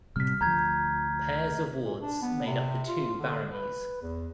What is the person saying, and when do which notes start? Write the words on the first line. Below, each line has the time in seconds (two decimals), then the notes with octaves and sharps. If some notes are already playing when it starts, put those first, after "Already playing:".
Pairs of wards made up the two Baronies.
0.16 A2 C3 G3 F6 B6
0.41 D2 F3 A#5 G6 G#6
1.85 A#2
2.00 D4
2.22 B3
2.47 C3
2.88 F4
3.19 D3
3.53 B4
4.02 E2